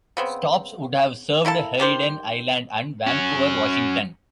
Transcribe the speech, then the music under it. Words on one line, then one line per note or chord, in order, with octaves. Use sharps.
Stops would have served Hayden Island and Vancouver, Washington.
C#3 B3 C4
A#3 E4 A4 A5
D#3 G4 C5
C#4 F#4